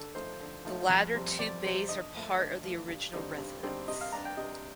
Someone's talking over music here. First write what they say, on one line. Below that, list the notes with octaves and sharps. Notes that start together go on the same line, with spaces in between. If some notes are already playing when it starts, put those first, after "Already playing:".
The latter two bays are part of the original residence.
Already playing: D3 A4
F3 A3 D#4 C5
D3
F3 A3 D#4
F2
C3 G3 C4
F2 D5
C3 G3 C4
D3 D#5
F3 A3
D3 D#5
F3
A3
G2
D3 G3 C4 D#4
G2
D3 G3 C4 D#4
C3 D#5
F5
G3 D4 A#5
G5
C3 D#5